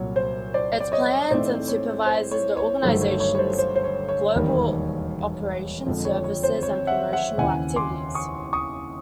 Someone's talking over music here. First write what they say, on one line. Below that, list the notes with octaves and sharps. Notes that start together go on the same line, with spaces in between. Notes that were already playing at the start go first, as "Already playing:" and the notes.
It plans and supervises the organisation's global operations, services and promotional activities.
Already playing: C2 A#2 F#3 C#5
C5
C5 D5
D5
C#5 D#5
A2 E3 A3 C4 D#4 C5 D5
C#5
C5
C#5
C#5
G1 G2 D#3 F#3 A3 C5
C#5
C#5
C#5
C5
C5
C5
C#5
C#5
E1 D#2 D#3 G3 A#3
F2 D3 F3 G#3
C#5
C#5
C5
C#5
E5 F#5
E5 F#5
D#2 C#3 E3 F#5 G#5
C6 D6
C#6 D#6
C#6 D#6